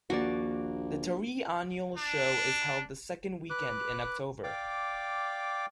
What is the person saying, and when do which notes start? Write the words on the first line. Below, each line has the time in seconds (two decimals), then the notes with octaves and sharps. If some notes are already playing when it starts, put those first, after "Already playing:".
The Taree Annual Show is held the second weekend in October.
0.10 A#1 D#2 A#3 F#4 D5
1.98 D4
3.50 B4 D6 F#6
4.44 D5 F5 G5 D6